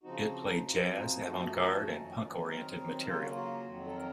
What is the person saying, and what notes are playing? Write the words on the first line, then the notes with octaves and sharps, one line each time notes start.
It played jazz-, avant-garde- and punk- oriented material.
C#3 F3 C4 D#4 F#4
F#2 F3 C4 D#4 F#4
F4
A4
F#2 F3 A3 D#4 F#4
F2 D#3 A3 C#4
D#3 F#3 C4 D#4 A#4
A#4
C#3 F#3 A#3 F4 A4
F#4
F#4
F2 D#3 F#3
A4
A#4